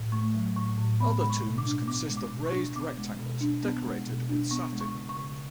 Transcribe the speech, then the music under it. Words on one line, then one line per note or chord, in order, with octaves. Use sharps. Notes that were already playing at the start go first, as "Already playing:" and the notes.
Other tombs consist of raised rectangles, decorated with satin.
Already playing: A2
A3 C#6
F#3
A2 C#6
A2
B3 B5
G#3 B5
C#6
B2
D6
D4
B3 D6
G#3
D6
B2
C#6
D4
B3 D6
G#3
B2
D4
B3
G#3
B2
D4
B3 C#6
G#3
C#6
C#3
C#6
C#3